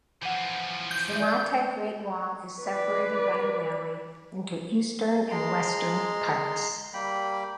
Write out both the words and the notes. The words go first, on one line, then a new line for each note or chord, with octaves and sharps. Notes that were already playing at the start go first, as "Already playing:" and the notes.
Simatai Great Wall is separated by a valley into eastern and western parts.
E3 F3 F#5 G6
G6
D5 E5
B4 D5
G#3 A#5 C6
G3 A#3 G5 B5